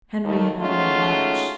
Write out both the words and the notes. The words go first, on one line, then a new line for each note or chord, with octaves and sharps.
Henri and I will watch.
D#2 D#3 A3
G#3 A3 C#4 D#4 F4 F#4